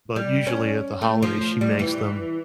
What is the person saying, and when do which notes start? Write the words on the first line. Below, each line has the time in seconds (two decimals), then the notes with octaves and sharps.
but usually at the holidays she makes them,
0.16 G3
0.47 C#4
1.02 A3
1.23 F3
1.61 G3
1.79 E3